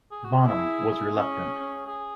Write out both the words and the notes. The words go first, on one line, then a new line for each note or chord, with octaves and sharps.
Bonham was reluctant.
G#4
F#4
G#4
E4
C#4
G#4